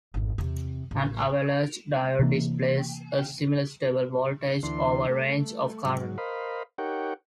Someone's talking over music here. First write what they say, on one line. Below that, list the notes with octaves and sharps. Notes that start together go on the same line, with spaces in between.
An avalanche diode displays a similar stable voltage over a range of current.
G#1 F2
E2 C3
A1
C3 E3 A#3
D2 E3 D4 C6
A3
G#2 F#3
A#4 C5 D#5 F5 B5
D#4 G4 A#4 C#5 F#5 G5